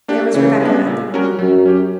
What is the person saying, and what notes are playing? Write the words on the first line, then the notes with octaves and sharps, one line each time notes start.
There was Rebecca at the window.
A#3 D4 G4
C#3 E3
G3 B3 D4
A#2
G3 C#4 F#4 A#4
F#2 F#3
C#4 G4